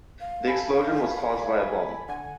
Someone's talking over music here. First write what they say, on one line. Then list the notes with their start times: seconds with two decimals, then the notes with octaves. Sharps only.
The explosion was caused by a bomb.
0.21 F5
0.48 A4 G#5 B5
2.09 D3 F#5 G#5